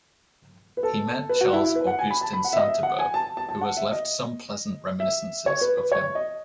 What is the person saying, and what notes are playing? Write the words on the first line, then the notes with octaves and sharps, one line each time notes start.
He met Charles Augustin Sainte-Beuve, who has left some pleasant reminiscences of him.
B4
A4
B4
F#4
E4
E4
B4
F#5
G#5
B5
A5
B5
F#5
E5
D#5
E5
F#5
G#5
A5
A5
A5
F#5
E5
D#5
E5
C#5
B4
B4
C#5
D#5